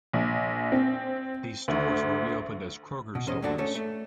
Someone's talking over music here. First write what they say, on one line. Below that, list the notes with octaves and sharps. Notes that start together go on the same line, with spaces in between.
These stores were reopened as Kroger stores.
A#1
C4
D2
B2
E2 C#4 C5 D#5
G2 A#2 A3 D4 F#4 A4
A3 C#4 A4 C#5
A3